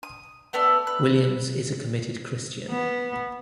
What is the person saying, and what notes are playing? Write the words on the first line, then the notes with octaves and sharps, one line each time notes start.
Williams is a committed Christian.
D#6
A3 B3 A4 D5
B4
B3